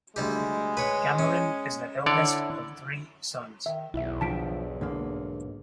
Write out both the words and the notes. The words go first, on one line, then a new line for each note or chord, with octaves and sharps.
Cameron is the eldest of three sons.
D2 G3 G#3 G4
B4 C#5
C#4
D3 E4 C#5 D5
D#3 E5
B1 E2 E4 E5
D3 F3 A5 B6 D7
G#2 D3 A#3